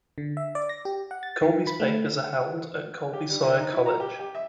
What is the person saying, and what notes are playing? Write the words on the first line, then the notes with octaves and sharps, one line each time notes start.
Colby's papers are held at Colby-Sawyer College.
D3
E5
D5
A#6
G4
F#5
A6
D#3
B5
A3
G4
G3
D3
D#4
E4
A#5
G4
G4
E5